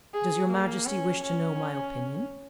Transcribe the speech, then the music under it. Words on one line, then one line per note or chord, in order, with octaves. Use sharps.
"Does your majesty wish to know my opinion?"
G#4
A#3
C#4
C#4